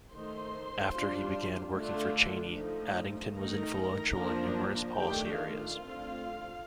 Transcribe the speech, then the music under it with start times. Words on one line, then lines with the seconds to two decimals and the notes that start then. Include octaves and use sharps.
After he began working for Cheney, Addington was influential in numerous policy areas.
0.12 D#3 A3 D#4 C5 C6
0.92 G3 D4 F4
1.72 D3 A3 D4 F4
2.53 D3 F3 A3 D#4
3.34 D#3 A3 D#4 A#4 A#5
4.14 F3 A#3 D4
4.95 D#3 A3 D4 G4 G5
5.36 F4 F5
5.76 D3 A3 C4